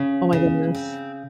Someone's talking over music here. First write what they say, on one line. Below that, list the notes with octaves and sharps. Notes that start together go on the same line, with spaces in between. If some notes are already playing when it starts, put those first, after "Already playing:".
Oh my goodness.
Already playing: C#3
C#3
C4